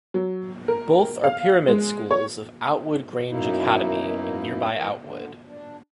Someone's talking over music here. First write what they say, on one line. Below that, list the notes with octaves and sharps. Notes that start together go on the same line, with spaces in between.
Both are pyramid schools of Outwood Grange Academy in nearby Outwood.
F#3
A#4
F5
G#3
C#5
F#2 B2 A#3 D#4 E4
E3 A#4 D#5
D3
D4